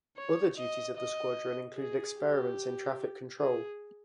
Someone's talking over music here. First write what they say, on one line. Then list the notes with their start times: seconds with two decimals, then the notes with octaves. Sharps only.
Other duties of the squadron included experiments in traffic control.
0.17 C#5
0.57 D#5
0.97 D#5
1.78 G#4
2.19 G4
3.39 G#4